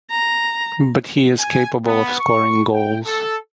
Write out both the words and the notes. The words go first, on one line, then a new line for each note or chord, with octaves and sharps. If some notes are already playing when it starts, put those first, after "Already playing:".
But he is capable of scoring goals.
A#5
G#5
B3
C#6
G5
A4